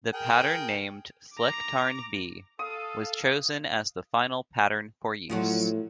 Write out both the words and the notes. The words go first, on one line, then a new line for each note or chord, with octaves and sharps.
The pattern named "Flecktarn B" was chosen as the final pattern for use.
G#4 A#4 G5
A#5 D6
A4 F5 D#6
A2 F3 F#3 F#4